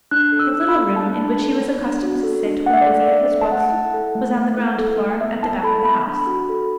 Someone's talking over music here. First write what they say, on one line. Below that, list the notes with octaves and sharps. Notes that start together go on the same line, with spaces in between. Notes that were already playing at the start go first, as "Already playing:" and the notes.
The little room in which he was accustomed to sit, when busy at his books, was on the ground-floor, at the back of the house.
D4 F#6
A4
E6
D4
B5
A4
B3 A5
D4
A4
B3
D4
F#4
A4
D4
D4 F#5
E5
D5
A4 E5
D4
A4
A5
A3 F#5
E4
A4
A3
A3
E4
A4
A3
B3 E5
E4 A5
A4 B5
B3 B5
D4 B5
F#4
A4